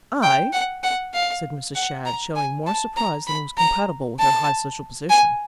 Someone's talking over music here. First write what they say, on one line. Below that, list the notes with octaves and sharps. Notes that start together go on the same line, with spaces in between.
"I?" said Mrs. Shadd, showing more surprise than was compatible with her high social position.
G5
F#5
F#5
F5
F#5
A#5
G#5
A5
A#5
B5
A#5
A5
G#5